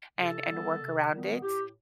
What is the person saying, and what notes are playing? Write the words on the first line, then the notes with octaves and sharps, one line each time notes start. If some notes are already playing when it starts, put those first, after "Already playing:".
and and work around it.
C3 A4
D#3 G3 B3
C3
D#3 G3 B3
A2 G4